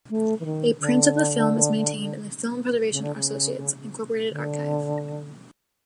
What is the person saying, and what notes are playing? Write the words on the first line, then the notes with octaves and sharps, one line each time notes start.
A print of the film is maintained in the Film Preservation Associates, Incorporated archive.
A3
E3
D#3
D3
C#3
D3
C#3
D3